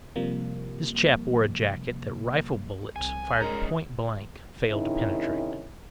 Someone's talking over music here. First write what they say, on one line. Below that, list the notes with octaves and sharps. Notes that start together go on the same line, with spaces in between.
This chap wore a jacket that rifle bullets, fired point-blank, failed to penetrate.
C3 F3 G3 A#3
C2 G#5
G#3 C#4 D#4 A#4
G#2 C3 D#3 C#4 D#4 E4